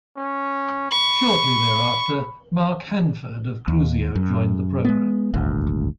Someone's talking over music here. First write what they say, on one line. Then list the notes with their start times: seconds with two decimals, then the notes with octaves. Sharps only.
Shortly there after Mark Hanford of Cruzio joined the program.
0.17 C#4
0.91 B5 C#6
3.68 D#2
4.15 F#2
4.85 G#3 B3
5.34 D#1 G#1 D2